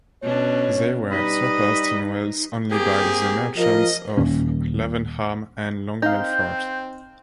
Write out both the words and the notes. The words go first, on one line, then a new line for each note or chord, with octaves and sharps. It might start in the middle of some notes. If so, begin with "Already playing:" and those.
They were surpassed in wealth only by the merchants of Lavenham and Long Melford.
B2 C#4 D4 C#5
G3 D#4 B4 D#5 B5
A#3 C4 G4 G#4
F3 A#4 D#5
D#1 D#2 C#4
C4 D#4 F5 A#5 G6